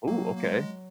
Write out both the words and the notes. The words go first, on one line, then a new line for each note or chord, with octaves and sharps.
Ooh, okay.
F#3 A#3
A#3
G#3